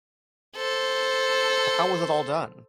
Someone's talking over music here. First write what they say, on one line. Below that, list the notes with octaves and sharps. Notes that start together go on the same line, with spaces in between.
But how was it all done?
A4 C5